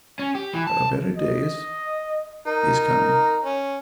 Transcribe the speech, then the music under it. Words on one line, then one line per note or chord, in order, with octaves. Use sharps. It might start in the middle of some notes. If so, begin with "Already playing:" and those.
A better day is--is coming.
C#4
G4
E3
A5
D#5
D#4 A#4
C#4